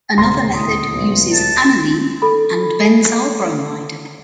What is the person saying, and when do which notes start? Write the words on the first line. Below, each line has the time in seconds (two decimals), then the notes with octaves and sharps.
Another method uses aniline and benzyl bromide.
0.18 D#1 D2 C3 C6 A#6
0.55 A2 D#5
0.93 B1
1.32 A5
2.22 A4 B5